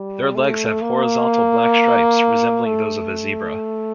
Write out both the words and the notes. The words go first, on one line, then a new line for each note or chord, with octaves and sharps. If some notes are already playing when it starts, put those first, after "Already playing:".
Their legs have horizontal black stripes, resembling those of a zebra.
Already playing: G3
A3
A#3
A3